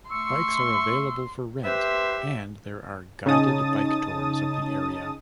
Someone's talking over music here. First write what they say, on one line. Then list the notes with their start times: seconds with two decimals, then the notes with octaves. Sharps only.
Bikes are available for rent and there are guided bike tours of the area.
0.11 A3 C6 C#6 E6
1.64 G4 B4 C5 E5
3.26 C#3 C#4 D#4 A5 D#6 A6